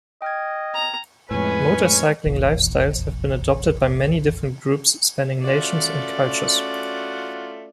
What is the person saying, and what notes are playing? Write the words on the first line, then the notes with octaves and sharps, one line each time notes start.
Motorcycling lifestyles have been adopted by many different groups spanning nations and cultures.
D#5 G5 F6 G#6
A#5
F2 A2 G#3 C#4 B4 G#5
F1 A#1 E2
A3 C#4 F4 F#4 D5